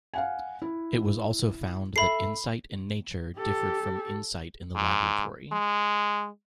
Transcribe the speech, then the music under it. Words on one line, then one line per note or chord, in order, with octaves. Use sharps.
It was also found that insight in nature differed from insight in the laboratory.
F5 F#5 G#5
E4
A4 E5 B5 C7
G4 A4
G#2
G#3